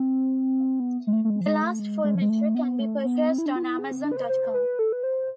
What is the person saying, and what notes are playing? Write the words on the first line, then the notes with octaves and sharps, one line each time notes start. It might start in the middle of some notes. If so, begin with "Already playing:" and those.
"The Last Full Measure" can be purchased on Amazon dot com.
Already playing: C4
B3
G#3
A3
A3
G#3
F3
G#3
A3
G#3
G#3
F3
G#3
A3
B3
A3
B3
C4
E4
D4
F4
E4
G#4
C4
D4
B4
C5
C5
B4
A4
B4
C5